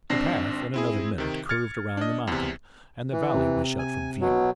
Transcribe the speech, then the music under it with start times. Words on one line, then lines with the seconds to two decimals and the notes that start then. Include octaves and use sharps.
The path, in another minute, curved around the mountain, and the valley was shut from view.
0.10 G#1 C4 D4 A#6 C7
0.74 C4 E4 G#4
1.18 C3 D#3
1.49 F6 G#6 A6 C#7
1.97 D4 D#5
2.27 E2 C3
3.12 E3
3.34 C3
3.79 G#5
4.21 B2 F#3